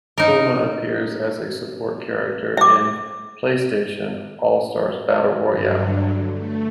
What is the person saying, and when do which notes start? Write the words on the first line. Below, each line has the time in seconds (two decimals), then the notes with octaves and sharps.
Kuma appears as a support character in "PlayStation All-Stars Battle Royale".
0.18 D#4 A#4
2.57 E5 D6
5.47 G2 D3 F#3
6.29 A3